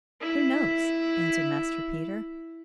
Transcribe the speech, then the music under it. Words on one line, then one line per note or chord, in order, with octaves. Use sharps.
'Who knows?' answered Master Peter.
E4 E5